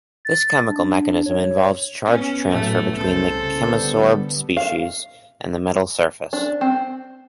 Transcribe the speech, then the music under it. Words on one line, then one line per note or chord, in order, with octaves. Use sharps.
This chemical mechanism involves charge transfer between the chemisorbed species and the metal surface.
A6
D4
C#5
B3 C#4
A2 F#3 A3 B3
C2 C#3 A4 C5
D3 G3 B3
F5
D4
C4